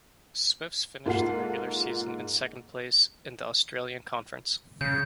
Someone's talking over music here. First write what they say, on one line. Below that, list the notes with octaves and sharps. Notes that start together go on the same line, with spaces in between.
Swifts finished the regular season in second place in the Australian Conference.
G#2 A#3 F4 A4 F#5 C7
C#3 G6